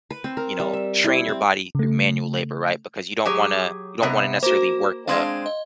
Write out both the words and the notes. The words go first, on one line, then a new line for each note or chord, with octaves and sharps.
you know, strain your body through manual labor, right, because you don't wanna you don't wanna necessarily work a
B4
C4
A#4
G3
E5
E4
C4
C#3 A3
F#3 G4 G#4
C3 B3 D#5
A#3 F#4 C5
G#3 C4 D4 F5 C6 G#6
D#5